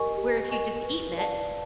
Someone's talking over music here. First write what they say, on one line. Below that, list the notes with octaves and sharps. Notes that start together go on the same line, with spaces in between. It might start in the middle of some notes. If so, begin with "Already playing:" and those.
where if you'd just eaten it
Already playing: G4 A#4 D#5 G#5 C#6
G4
A#4 D#5 G#5 C#6
B4
D5 F5 A5